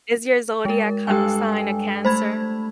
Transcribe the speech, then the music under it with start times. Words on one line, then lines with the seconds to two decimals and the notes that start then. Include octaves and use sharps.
Is your zodiac h sign a Cancer?
0.65 G#3 A#4
1.07 G2 G#3 G4 A4 G5 G#5
2.05 A3 C5 B5 G#6